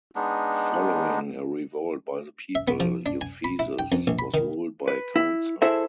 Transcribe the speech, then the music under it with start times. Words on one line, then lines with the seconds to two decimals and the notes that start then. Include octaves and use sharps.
Following a revolt by the people, Ephesus was ruled by a council.
0.16 G#3 B3 D4 D#4
2.55 E5
2.68 B3
2.80 F3
3.06 D4
3.21 G#5
3.44 B5
3.59 E4
3.79 G5
3.92 F2
4.07 A#1
4.19 B5
4.34 D#3
4.88 B4
5.16 E4
5.62 E4 G#4 A4 C5 E5